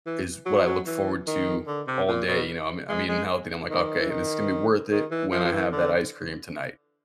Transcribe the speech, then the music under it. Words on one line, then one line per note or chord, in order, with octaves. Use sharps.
is what I look forward to all day, you know, I'm I'm eating healthy and I'm, like, “Okay, this is gonna be worth it when I have that ice cream tonight,”
E3
F#3
F3
F#3
E3
D#3
D3
C3
A#2
B2
G#3
G#3
D#3
E3
D#3
D#3
E3
F3
F3
E3
D3